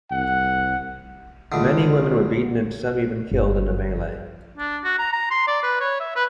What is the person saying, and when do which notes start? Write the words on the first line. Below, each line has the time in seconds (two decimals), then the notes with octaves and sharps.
Many women were beaten and some even killed in the melee.
0.11 C2 F#5
1.52 C#2 D3
3.31 G1
4.58 D4
4.84 F#4
4.98 A#5
5.13 A#5
5.31 C6
5.47 D5
5.63 B4
5.80 C#5
6.00 E5
6.16 B4